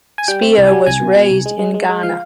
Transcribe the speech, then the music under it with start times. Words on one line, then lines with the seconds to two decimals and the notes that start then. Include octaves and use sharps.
Spio was raised in Ghana.
0.18 G#5
0.28 G3 G5
0.42 C4
0.58 C2
0.67 G3 G#5
0.86 C2 G#5
1.02 B2
1.15 B2
1.30 C2
1.46 G#3
1.59 G#3
1.74 G#3
1.89 G#3
2.03 F3 F5